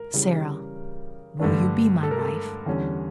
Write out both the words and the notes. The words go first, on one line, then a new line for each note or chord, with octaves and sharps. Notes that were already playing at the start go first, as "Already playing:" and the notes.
"Sara, will you be my wife?"
Already playing: A#4
C#3 E3 G3
G2 D3 A3 D4
A4
A#4
A4
E2 D3 G3 C#4